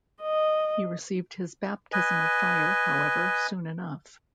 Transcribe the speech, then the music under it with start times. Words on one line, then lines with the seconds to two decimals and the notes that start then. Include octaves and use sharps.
He received his baptism of fire, however, soon enough.
0.22 D#5
1.93 B4 D#5 G#5